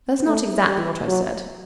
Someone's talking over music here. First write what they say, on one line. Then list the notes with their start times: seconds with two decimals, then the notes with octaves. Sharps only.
"That's not exactly what I said."
0.26 A3
0.66 G3
1.08 F#3